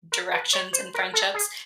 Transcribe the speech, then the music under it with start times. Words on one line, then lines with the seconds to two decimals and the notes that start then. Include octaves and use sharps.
directions and friendships,
0.12 A#4
0.33 B4
0.53 C#5
0.73 C5
0.94 A#4
1.14 A4
1.34 G#4